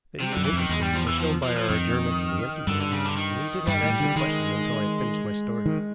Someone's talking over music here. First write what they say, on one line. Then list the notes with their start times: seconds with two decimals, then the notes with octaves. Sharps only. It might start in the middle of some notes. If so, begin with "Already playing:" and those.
That he was interested was shown by our adjournment to the empty room, and he did not ask a question until I had finished my story.
0.20 C3
0.33 F#2 D3
0.44 E3
0.53 F2 D#3
0.69 E2 G#3
0.82 G3
0.94 F3
1.07 E3
1.19 F3
1.43 F3
1.56 F3
1.69 F2 D#3
2.67 G2 D3
2.81 D3
2.92 C#3
3.06 D3
3.17 D#3
3.67 G2 G3
3.83 A2
4.00 D3
4.16 D#3 G#3
5.66 D#3